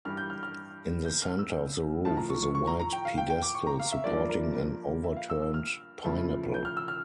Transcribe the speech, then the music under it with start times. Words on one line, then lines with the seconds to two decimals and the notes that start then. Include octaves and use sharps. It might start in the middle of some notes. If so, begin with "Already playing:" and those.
In the center of the roof is a white pedestal supporting an overturned pineapple.
0.05 G2 E3 G3 F6
0.17 G6
0.30 F6
0.43 F6
1.05 G6
1.22 F6
1.39 E6
2.05 A2 F3 A3 A5
2.17 A#5
2.30 C#6
2.43 C#6
2.55 C#6
2.67 A#5
2.80 A#5
2.93 G5
3.05 F5
3.18 G5
3.30 G5
3.42 D6
3.55 C#6
3.67 A#5
3.79 F5
3.92 E5
4.04 G2 F3 A#3 D5
4.29 A#4
4.54 A#4
5.04 E5
5.17 F5
5.30 E6
5.42 E6
5.54 F6
6.04 C#3 F3 A3 E4
6.54 G6
6.65 F6
6.77 E6
6.88 F6